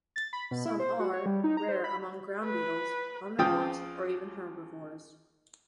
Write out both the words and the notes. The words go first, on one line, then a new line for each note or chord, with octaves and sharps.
Some are, rare among ground beetles, omnivores or even herbivores.
A6
B5
B2
E4
C5
F#4
C#5
G3
D#4
A#5
C5
B5
B4
C#2 F3 F4 G5 D#6